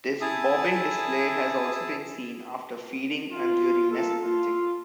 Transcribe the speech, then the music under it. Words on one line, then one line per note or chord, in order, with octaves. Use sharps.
This bobbing display has also been seen after feeding and during nest building.
E4 G#4 A5 D#6 E6
F4
A#3 F4 A4
F4